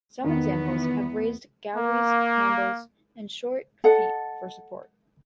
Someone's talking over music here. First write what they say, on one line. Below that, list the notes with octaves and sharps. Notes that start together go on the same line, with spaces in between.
Some examples have raised galleries, handles, and short feet for support.
E2 D#3 B3
A#3
A4 D#5 F#5